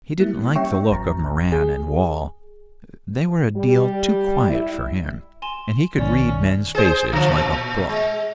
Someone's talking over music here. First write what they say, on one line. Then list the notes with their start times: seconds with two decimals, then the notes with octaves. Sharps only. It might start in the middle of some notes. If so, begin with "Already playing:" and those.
He didn't like the look of Moran and Wall--they were a deal too quiet for him, and he could read men's faces like a book.
0.20 G3 A#3 E4
0.56 G3 C#4 C#5 E5 G5 C#6
0.91 G#1 F#3 A#5
1.52 G#4
3.55 G3
4.49 E4
5.42 G#5 C6 E7
5.98 B1 D#3 C#4 D5
6.75 G#4 C5
7.13 D3 F3
7.31 A#2
7.89 G#3